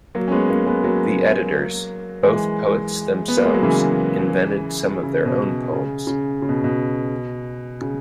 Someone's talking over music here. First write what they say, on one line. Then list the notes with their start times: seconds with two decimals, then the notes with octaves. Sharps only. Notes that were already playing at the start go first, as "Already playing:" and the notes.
The editors, both poets themselves, invented some of their own poems.
0.15 F#3 A#3
0.28 C#4
0.32 G#3 B3
0.50 A#3 C#4
0.66 G#3 B3
0.84 F#3 A#3
2.23 E3 G#3
3.28 B3
3.37 A#3
3.46 G#3
3.54 F#3
3.62 C#3 E3
5.03 C#3
5.25 B2
5.73 C#3
6.07 C#3
6.42 C#3
6.49 B2
6.64 B2
7.81 C#3